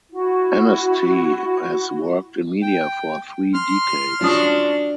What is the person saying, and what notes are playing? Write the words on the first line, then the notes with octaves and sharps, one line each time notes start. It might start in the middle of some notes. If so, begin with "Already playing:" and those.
Anstey has worked in media for three decades.
E4 F#4
G5
C6 F6
F3 C#4 D4 F#4 D#6